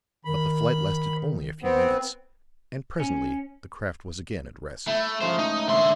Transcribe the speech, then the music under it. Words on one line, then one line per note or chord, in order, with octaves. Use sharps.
But the flight lasted only a few minutes, and presently the craft was again at rest.
D#3 B5
B3 C4
C#4
A3 E4
G#2 C#3 F3 A3 C5
D#4
A2 D3 E5 C6 C#6